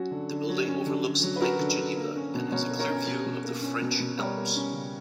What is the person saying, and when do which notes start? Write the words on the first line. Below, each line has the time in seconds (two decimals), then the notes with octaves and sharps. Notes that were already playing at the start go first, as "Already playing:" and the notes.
The building overlooks Lake Geneva and has a clear view of the French Alps.
Already playing: F#3 C#4 F#4
0.11 D3
0.30 D3
0.49 F#3
0.67 C#4
0.86 D3
1.04 D3
1.23 F#3
1.36 B4
1.40 C#4 F#4 A#4
1.59 D3
1.78 D3
1.96 A#3
2.16 C#4
2.34 B2
2.52 B2 A#4 C#5
2.70 A#3
2.79 A#4 C#5
2.89 C#4
3.07 B2
3.26 B2
3.44 A#3
3.62 C#4
3.82 B2
4.00 B2
4.18 G3 A#4 C#5
4.37 A#3
4.56 C#4
4.73 C#3